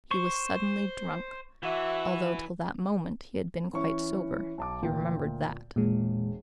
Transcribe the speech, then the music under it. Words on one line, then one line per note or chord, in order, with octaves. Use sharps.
He was suddenly drunk, although till that moment he had been quite sober, he remembered that.
C5 C#6
E3 F#4 E5
E3 C#4 C#6
B1 A5 D6
D2 A#2 G5
E1 A#2 G#3